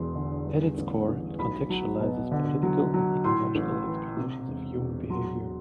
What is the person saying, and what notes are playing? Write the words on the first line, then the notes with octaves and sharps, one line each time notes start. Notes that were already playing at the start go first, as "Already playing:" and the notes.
At its core, it contextualizes political and ecological explanations of human behavior.
Already playing: E1 E2 C6
D3
G2
A1
A1
B1 B5
F#3
B2
D3
F#3
F#3
A2 C6
A1
E3
C3
E1
E1
F#3 C6